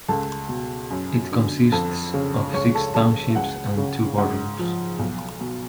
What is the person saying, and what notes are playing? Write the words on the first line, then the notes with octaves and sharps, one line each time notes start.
It consists of six townships and two boroughs.
C#2 A4 A5
B2
F#2
D3
F2 A4 A5
C#3
C#2 C#5 C#6
A4 A5
C#3 A4 A5
C#2 F#5
C#3
G#2 F#5
F3
B1
B2